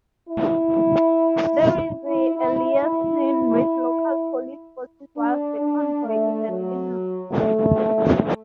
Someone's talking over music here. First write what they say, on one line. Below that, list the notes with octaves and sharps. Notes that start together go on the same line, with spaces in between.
There is liaison with local police forces whilst the convoy is en route.
E4
E4
E4
E4
D4
D4
A3
F#3
A3